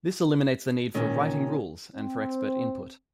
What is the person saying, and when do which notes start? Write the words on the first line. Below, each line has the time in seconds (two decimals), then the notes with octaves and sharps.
This eliminates the need for writing rules and for expert input.
0.94 A#2 D#3 C#4
1.95 C4